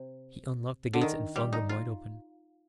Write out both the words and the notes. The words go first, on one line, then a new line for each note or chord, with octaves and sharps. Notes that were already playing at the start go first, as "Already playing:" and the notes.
He unlocked the gates and flung them wide open.
Already playing: C3
D3
D#3
G3
D#4
F4